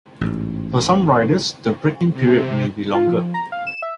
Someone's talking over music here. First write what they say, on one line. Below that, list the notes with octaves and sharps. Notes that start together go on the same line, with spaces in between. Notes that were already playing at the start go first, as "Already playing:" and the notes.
For some riders the break-in period may be longer.
A1 G#2
C3
F4
F3
A#5
F5
E7
E5